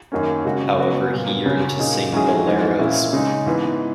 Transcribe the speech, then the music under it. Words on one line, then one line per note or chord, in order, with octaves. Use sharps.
However, he yearned to sing boleros.
F#2 D#3 A#3 C#4
C#3 G#3 C#4 F#4
C#3 G#3 B3 F#4
A#2 F#3 B3
F#2 C#3 F#3 C#4
A#2 A#3 D#4 G#4
G#2 F#3 C#4 E4 G#4
G#2 E3 G#3 D#4 F#4
A#2 G#3 C#4 E4
C#3 G#3 D#4
G#2 E3 B3